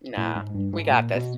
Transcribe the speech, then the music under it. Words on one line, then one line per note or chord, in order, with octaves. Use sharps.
Nah, we got this.
A2
G#2
G2
G#2
A#2
B2